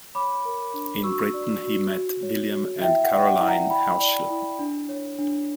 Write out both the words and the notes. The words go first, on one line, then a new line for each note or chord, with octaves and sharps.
In Britain he met William and Caroline Herschel.
C#5 B5 D6
A#4
D4
F#4 C#6 E6
D5
F#4
F#4
C#5
F#4
E4 E5 G5
F#5
D5 G5
F#5
E4
F#5 A#5
E4 G5 B5
D5
E4
D4
C#5
D4